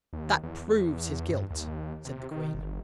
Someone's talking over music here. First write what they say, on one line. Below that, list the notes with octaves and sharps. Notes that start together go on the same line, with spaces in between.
'That PROVES his guilt,' said the Queen.
D#2
E2
G2
D#2
C3
D#3
G1